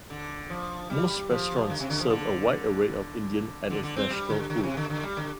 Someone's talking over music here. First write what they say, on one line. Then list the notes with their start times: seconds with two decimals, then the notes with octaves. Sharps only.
Most restaurants serve a wide array of Indian and International food.
0.10 D3
0.50 F3
0.90 G3
1.30 F3
1.70 D3
1.80 C3
1.90 D3
2.00 F3
2.10 D3
3.70 D3
3.83 D3
3.97 C4
4.10 G3
4.30 D3
4.50 D3
4.63 C3
4.77 D3
4.90 D3
5.03 G3
5.17 D3